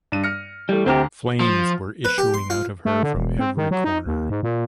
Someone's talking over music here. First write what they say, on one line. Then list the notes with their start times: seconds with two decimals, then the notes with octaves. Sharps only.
Flames were issuing out of her from every corner.
0.12 G2 D#7
0.24 F6 A#6 C#7
0.69 E3 G3 A3
0.86 D2 C4 G4 A#5 F6
1.40 F3
2.05 B4
2.18 G4
2.34 C6
2.50 F4
2.85 A3
3.03 D3
3.15 E1
3.39 C4
3.57 D#3
3.71 F#3
3.84 D#4
4.06 D#2
4.30 G#2
4.43 A#2